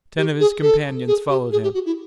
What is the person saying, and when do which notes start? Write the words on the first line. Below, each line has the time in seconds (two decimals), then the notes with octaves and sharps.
Ten of his companions followed him.
0.17 G4
0.40 G#4
0.62 A4
1.07 G#4
1.29 G4
1.52 G#4
1.63 G4
1.74 F#4
1.86 E4